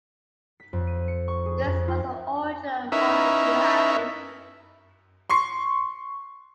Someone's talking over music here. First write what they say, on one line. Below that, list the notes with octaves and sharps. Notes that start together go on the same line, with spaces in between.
This was the origin of modern Newhaven.
B6
F2
D#7
C#7
C#6
G#4
F2
F4
C#4 D#4 E4 A#4 B4 E5
C6 C#6 C7